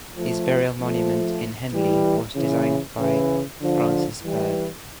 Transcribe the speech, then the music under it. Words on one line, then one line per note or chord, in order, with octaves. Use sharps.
His burial monument in Henley was designed bt Francis Bird.
F3 A3
F3 A3
E3 G3
C#3 E3
C#3 E3
D3 F3
E3 G3